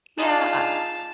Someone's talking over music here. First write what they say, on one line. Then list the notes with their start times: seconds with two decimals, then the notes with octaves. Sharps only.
Yeah I
0.18 D4 D#4 F4 G#4 A5